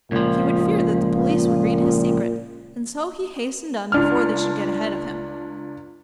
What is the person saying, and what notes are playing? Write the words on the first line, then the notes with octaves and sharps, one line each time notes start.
He would fear that the police would read his secret, and so he hastened on before they should get ahead of him.
C#2 A#2 F3
C#2 D4 F6